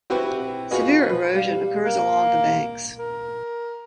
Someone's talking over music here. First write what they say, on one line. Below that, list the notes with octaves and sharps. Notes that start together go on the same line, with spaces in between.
Severe erosion occurs along the banks.
C4 E4 F#4 G4 B4
D#4 F4 F#4 G#4 B4 D#5
B4
G3 F5
A#3
A#4